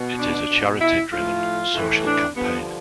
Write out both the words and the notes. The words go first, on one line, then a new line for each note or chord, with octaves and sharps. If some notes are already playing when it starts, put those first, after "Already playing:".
It is a charity-driven social campaign.
Already playing: B2
D4
B2
E4
A2 F3 F4
A2 E3
D4
G2 D3 F3 B3